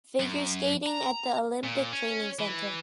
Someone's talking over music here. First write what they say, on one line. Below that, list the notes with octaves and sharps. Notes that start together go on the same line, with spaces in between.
Figure Skating at the Olympic Training Center.
F#2
A#5
A#2
C#4
E3